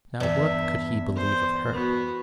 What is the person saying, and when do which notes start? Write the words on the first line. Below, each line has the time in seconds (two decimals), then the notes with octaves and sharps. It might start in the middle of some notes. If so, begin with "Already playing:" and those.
Now, what could he believe of her?
0.20 E2 G2 E5
1.16 C5
1.72 B3 F#4